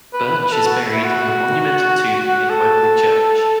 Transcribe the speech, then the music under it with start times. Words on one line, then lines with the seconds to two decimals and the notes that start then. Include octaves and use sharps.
Birch is buried in a monumental tomb in Weobley Church.
0.13 B4
0.26 B4
0.39 B4
0.52 A4
0.65 F#4
0.92 E4
1.04 F#4
2.23 F#4
2.49 A4